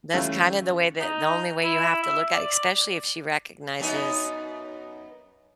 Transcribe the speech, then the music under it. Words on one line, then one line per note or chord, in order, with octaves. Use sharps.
That's kinda the way that the only way you have to look at especially if she recognizes
C#3 E3 G3 A3 C#4 F4
D#4
E4
E5
D5
F#2 B3 D#4